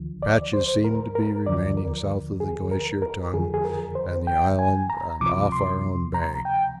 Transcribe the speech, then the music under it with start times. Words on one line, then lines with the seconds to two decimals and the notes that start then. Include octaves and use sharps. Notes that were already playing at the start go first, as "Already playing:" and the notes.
Patches seem to be remaining south of the Glacier Tongue and the Island and off our own bay.
Already playing: D2 D3 F3
0.22 D5
0.53 C5
0.84 A#4
1.15 A#4
1.47 D#2 D3 F3 D5
1.77 A#4
2.40 G#4
2.71 A#4
3.02 A#4
3.33 F2 D3 F3 G#4
3.54 G#4
3.65 A#4
3.95 C5
4.27 G5
4.59 G#5
4.90 A#5
5.20 D2 C3 F3 D6
5.52 C6
6.14 A#5
6.45 G5